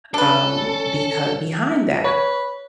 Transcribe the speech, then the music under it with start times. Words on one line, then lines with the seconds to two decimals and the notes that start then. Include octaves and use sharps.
um, becau behind that
0.14 C#4 D4 A4 B4
2.04 B4 C#5